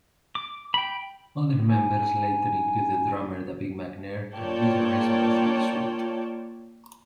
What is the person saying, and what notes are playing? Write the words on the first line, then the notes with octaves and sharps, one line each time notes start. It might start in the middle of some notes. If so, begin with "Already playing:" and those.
Other members later included drummer David McNair and guitarist Matthew Sweet.
D6
G5 B5
D#4 G#5
A#3 F4 C#5 D5 G5 A5